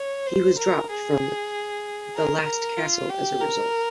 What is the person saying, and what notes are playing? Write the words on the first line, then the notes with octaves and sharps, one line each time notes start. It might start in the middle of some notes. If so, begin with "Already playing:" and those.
He was dropped from "The Last Castle" as a result.
Already playing: C#5
C5
A#4
G#4
A#4
F4
G4
A#4